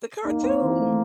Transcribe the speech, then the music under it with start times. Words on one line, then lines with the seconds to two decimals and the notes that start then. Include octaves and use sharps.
The cartoon.
0.25 A#3 D#4
0.43 C4
0.62 E3
0.79 A3